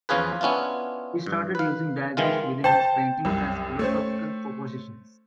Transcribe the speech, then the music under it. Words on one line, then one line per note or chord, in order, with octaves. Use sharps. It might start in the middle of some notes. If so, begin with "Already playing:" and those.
He started using diagrams within his paintings as philosophical propositions.
E2 F3 C#4 F4 G#4 B4
B3 C#4 D4 E4 F4
G2
B4 F5
D#3 E3 G#3 F4
C5 G5 A5 G6
C2 F#2
A3 C#4 C5